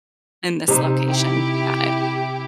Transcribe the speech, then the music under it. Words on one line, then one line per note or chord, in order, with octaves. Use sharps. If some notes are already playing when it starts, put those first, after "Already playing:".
In this location. Got it.
C3 D#4 C5
E4 G4